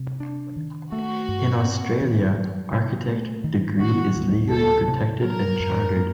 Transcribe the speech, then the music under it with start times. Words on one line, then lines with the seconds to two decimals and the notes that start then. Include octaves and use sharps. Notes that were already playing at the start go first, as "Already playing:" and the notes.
In Australia, Architect degree is legally protected and chartered.
Already playing: C3 G3
0.20 D4
0.56 D#3
0.92 A3 F#4
1.28 G2
1.64 C4
2.01 D#3
2.35 F#3
2.72 C3
3.08 A3
3.44 D#3
3.79 D#3 F#4
4.16 D2
4.51 D2 A4
4.87 C3
5.23 F#3 A#4
5.60 F#2
5.96 A#3